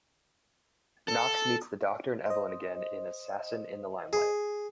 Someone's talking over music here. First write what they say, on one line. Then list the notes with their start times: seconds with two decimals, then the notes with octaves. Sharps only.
Knox meets the Doctor and Evelyn again in "Assassin in the Limelight".
1.08 A4
2.26 C5 D#5
4.13 G#4